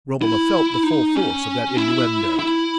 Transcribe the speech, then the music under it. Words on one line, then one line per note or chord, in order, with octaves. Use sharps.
Romola felt the full force of that innuendo.
E4
D#4
C#4
E4
E4